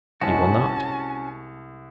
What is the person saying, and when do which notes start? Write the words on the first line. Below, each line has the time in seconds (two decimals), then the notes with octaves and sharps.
He will not.
0.21 C2 G#3 C#4 F#4 A5